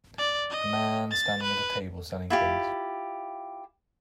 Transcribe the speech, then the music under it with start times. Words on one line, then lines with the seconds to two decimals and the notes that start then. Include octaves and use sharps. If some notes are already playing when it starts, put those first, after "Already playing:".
A man standing at a table selling things.
0.18 D5
0.50 D#5
1.11 A6
1.43 B4
2.30 E4 F4 G4